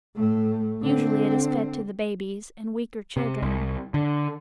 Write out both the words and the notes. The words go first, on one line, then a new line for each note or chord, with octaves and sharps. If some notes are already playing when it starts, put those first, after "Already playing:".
Usually it is fed to the babies and weaker children.
A2 A3
D3 C4
C3
C2
D3